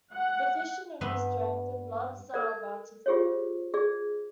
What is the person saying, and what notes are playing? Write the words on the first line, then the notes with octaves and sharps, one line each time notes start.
Deficient and misdirected loves are about to follow.
F#5
G2 G3 B3 B4 E5 C6
A4 A#4 D5
F4 G4 G#4 C5 C#5
G#4 D5